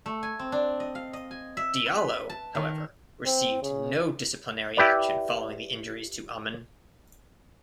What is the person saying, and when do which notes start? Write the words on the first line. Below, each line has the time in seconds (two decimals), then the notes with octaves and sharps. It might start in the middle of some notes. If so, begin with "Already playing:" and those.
Diallo, however, received no disciplinary action following the injuries to Ammann.
0.06 A3
0.23 G#5
0.39 C4
0.52 D4
0.80 D#5
0.95 F5
1.13 D#5
1.31 G#5
1.57 E5
1.86 B4
2.30 A5
2.55 D#3
3.25 C4
3.62 C#3
4.77 E4 G4 B4 D5